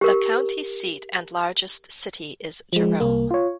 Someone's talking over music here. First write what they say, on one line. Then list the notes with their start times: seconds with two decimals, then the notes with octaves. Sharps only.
The county seat and largest city is Jerome.
0.01 G4 A#4
2.73 F3 G#3
3.00 C2 A#3
3.31 F4 C#5